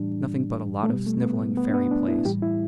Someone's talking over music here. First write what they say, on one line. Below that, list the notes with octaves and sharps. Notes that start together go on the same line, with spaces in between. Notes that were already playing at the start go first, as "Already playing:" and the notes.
Nothing but a lot of snivelling fairy plays.
Already playing: A2 E3 G3 D4
A3
B2 G3 B3
A3
B3
B3
D4
B3
D4
E4
A2 E3 G3 G4
E4